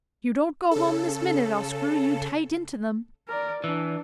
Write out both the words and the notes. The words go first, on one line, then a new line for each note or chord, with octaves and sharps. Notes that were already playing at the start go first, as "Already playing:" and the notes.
If you don't go home this minute I'll screw you tight into them.'
C#3 A4
A#4 D5
E3 D4